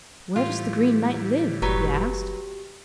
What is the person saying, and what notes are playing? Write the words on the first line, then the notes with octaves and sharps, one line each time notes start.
'Where does the Green Knight live?' he asked.
A2 E3 G3 F4
F#1 F#3 F#4 G4 B4